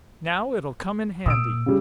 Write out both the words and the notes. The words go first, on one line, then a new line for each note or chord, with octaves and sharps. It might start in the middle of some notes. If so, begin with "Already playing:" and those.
Now it'll come in handy.
A#2 D#6 E6 D7
C#3 G3